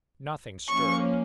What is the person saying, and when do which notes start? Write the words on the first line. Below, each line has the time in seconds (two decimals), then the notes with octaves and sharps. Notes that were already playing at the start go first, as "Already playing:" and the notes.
Nothing stirred.
0.68 F3 A#3 C#4 C#6